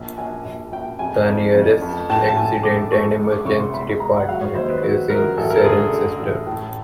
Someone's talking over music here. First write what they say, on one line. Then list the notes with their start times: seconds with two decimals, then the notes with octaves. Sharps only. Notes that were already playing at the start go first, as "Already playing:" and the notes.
The nearest Accident and Emergency Department is in Cirencester.
Already playing: A#1
0.18 A#1 G#5
0.45 A#1
0.72 A#1 G5
0.99 F2 G#5
1.27 F2
1.55 F2
1.82 F2
2.10 A2 A5
2.28 A5
2.36 A2 G#5
2.63 A3 D6
2.91 A3 C#6
3.19 G#3
3.33 D6
3.45 C2 C#6
3.60 C6
3.74 B2 B5
4.00 G#3 A#5
4.20 F#5
4.28 F#3 F5
4.41 C#5
4.55 D#2 C5
4.70 B4
4.82 F#3
5.10 F#3 A#4
5.37 A1 A4
5.50 A#4
5.57 A4
5.64 D3 G#4
5.92 D3
6.19 A1
6.46 A2